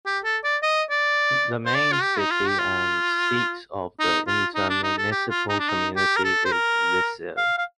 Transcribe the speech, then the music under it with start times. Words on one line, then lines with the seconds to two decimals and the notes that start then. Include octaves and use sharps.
The main city and seat of the intermunicipal community is Viseu.
0.06 G4
0.24 A4
0.44 D5
0.62 D#5
0.90 D5
1.66 C5
1.74 D5
1.92 F4
2.02 G4
2.19 D#4
2.31 F4
2.48 G4
2.59 F4
3.99 D#4
4.27 F4
4.55 D#4
4.69 D4
4.83 D#4
4.98 A4
5.11 G4
5.30 F4
5.49 D#4
5.59 D4
5.68 D#4
5.96 G4
6.16 A#4
6.24 A4
6.45 C5
6.52 A#4
7.37 F5
7.58 F5